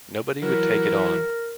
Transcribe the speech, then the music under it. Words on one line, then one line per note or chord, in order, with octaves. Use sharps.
Nobody would take it on.
E3 F#3 A#4